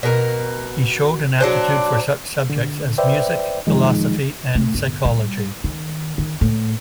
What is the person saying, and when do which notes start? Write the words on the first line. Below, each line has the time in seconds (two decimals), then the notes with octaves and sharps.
He showed an aptitude for such subjects as music, philosophy and psychology.
0.03 B2 A#4
1.40 F#3 D4 C5
2.50 D3
2.98 B4 C5 D5 E5 G5
3.67 F#2 D#3 F3 G#3 D#4
4.55 A3
4.75 G1
5.05 G3
5.64 D#3
6.18 D#3
6.41 A2